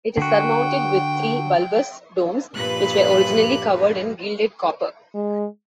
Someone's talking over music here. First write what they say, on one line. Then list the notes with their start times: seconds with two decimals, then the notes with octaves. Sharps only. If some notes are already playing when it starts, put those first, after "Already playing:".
It is surmounted with three bulbous domes, which were originally covered in gilded copper.
0.17 D3 F#4 G5
2.55 G2 A#2 F3 G4 B4 F#6
5.15 G#3